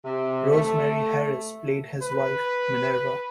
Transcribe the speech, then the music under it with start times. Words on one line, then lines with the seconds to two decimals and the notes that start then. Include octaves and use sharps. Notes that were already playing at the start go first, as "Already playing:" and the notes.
Rosemary Harris played his wife, Minerva.
0.05 C3
0.52 A3
2.02 B4